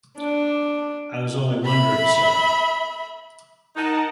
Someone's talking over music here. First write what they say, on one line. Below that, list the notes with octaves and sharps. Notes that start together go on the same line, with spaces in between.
I was only wondering sir.
D4
E5 B5
D#4 A#4 F#5 A5